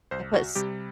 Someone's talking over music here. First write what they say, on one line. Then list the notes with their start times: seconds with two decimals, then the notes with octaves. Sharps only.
I put s
0.11 C2 C5
0.34 F#4
0.55 C3 G3 G4